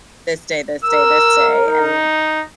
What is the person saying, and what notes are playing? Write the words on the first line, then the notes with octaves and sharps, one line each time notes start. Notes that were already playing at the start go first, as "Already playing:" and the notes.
this day, this day, this day," and
A#4 E6
D#4